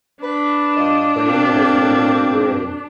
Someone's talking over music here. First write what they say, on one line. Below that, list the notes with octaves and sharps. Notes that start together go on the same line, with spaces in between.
Wain has no known grave.
D4 B4
G2 F4 D#5
B2 A#3 C4